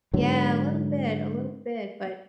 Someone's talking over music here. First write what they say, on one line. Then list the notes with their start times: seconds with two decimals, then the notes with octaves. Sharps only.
Yeah, a little bit, a little bit, but but
0.13 G#2 D3 F#3